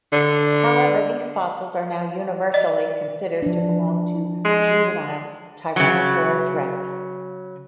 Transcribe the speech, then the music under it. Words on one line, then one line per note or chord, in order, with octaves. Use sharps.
However, these fossils are now universally considered to belong to juvenile "Tyrannosaurus rex".
D3
D5 D#5
F3 D4
G#3
C#3 F#3